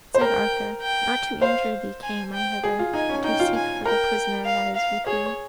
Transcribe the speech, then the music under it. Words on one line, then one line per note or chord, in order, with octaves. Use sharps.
Said Arthur, "Not to injure thee came I hither, but to seek for the prisoner that is with thee."
C5
A#4 G5
G5
C5 F5
G#5
G5
G#4
F4
D#4 G#5
C#4
D#4 G5
F4
G#5
A#4 G5
F5
F5
G#4 C#5